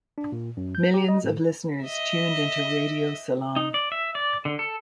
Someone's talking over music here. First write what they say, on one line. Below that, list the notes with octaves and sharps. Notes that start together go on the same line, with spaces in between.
Millions of listeners tuned into Radio Ceylon.
D4
A#2
F#2
G6
G4
D#5
A2
D#5 E5
D#4
D5
E5
D5
D3
A4